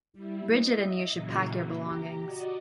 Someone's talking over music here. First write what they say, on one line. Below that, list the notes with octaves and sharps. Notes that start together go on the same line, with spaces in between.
Bridget and you should pack your belongings.
G3 E4
D#5 E5
A#2 C#3 E3 F#3 A#3
G4 A#5
F#4 D5 D#5